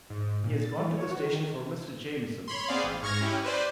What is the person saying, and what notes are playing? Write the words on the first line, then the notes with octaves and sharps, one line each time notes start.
He has gone to the station for Mr. Jamieson.
G#2
A#2
A6
E3
C#5
F#4
D#3
C#5 B5 C6
B3 C4 G#4 D5 F5
A1
G#2 C#6 F6 G#6 A#6
C#4 E4 G4
B4 C5 D5